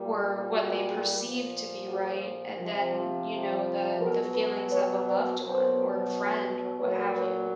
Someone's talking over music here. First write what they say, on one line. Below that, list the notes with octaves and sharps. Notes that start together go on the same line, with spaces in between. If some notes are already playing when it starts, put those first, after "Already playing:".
or what they perceive to be right, a than, you know, the the feelings of a loved one or a friend or what have you.
Already playing: A#2 G3
F#4 G#4
A#2 F3
F#4 G#4
C3 F3
B2 F#3 G#4 A#4
A4 B4
B4 C#5
C5 D5
B2 F#3 A#4 C5
A#2 F#3 B4 C#5
B4 C#5